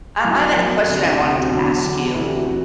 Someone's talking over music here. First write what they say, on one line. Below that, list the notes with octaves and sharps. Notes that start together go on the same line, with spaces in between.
Um, I have a question I wanted to ask you.
F#2 F#3 E4
F#2 F#3
D2 C3 F#3 D4
D2 C3 F#3
C4
E2 D3 F#3 D4
E2 D3 F#3
D2 C3 E3 E4
G4
F#4
C3 E3 F#4